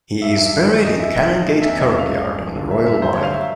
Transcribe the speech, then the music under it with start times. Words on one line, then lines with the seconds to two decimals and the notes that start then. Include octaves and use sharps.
He is buried in Canongate Kirkyard on the Royal Mile.
0.22 G2 E5
0.37 G2 E5
0.53 G3
0.69 D#3
0.84 F#2 D#5
1.00 F#2 E5
1.16 F#3 E5
1.31 C#3
1.46 A3 D#5
1.62 E2 E5
1.78 F#3 D#5
1.87 E5
1.93 C#3
1.99 F5
2.09 G#3
2.24 G2
2.40 F3
2.55 D3
2.71 A3 E5
2.87 G2 E5
3.02 F#3 C5
3.13 C#5
3.18 D3
3.23 F5
3.33 E5